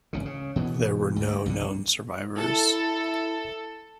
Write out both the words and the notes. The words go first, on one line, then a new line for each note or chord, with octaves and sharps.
There were no known survivors.
G#1 C#2 C#3
C#3
B2 E3 B3
D2 G#2
C2 F2 D3
E4 A4